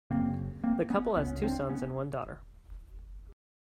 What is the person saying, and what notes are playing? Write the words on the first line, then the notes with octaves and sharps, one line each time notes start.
The couple has two sons and one daughter.
F#2 C#3 A#3 C4
A#3 C4
B3 C#4
C#2 C#3 B3 C#4
C4 D4
B3 C#4